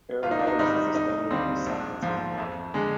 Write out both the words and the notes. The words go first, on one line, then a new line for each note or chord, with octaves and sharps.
Aeronautics is the study of the science of flight.
G#1 F4
D#4
D4
D#4
G#2 D#3 G3 D#4
F1 D#4
D#2 D3 G3 C4
A#1 D4
G#2 F3
F2
D3 G#3